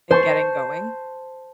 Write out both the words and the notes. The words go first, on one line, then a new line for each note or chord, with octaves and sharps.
and getting going.
C5 A5 C#6